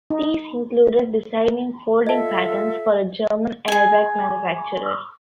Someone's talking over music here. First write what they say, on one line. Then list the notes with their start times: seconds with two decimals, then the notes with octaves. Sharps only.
These included designing folding patterns for a German airbag manufacturer.
0.10 D#4
2.07 F4 A4 D#5 E5 A5
3.68 G#4 G#5